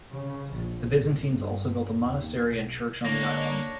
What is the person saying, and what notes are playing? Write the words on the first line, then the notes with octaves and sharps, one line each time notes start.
The Byzantines also built a monastery and church on the island.
C#3
A#1
G#1
G2
D#2
B1
D3 A#3 D4 C#5 A#6